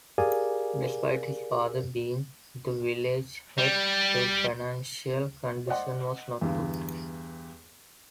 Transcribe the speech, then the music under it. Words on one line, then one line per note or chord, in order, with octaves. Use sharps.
Despite his father being the village head, their financial condition was not good.
G4 G#4 A#4 D5 F5 G#5
G3
C5 D5 D#5 F#5 C6
E2 G2 D3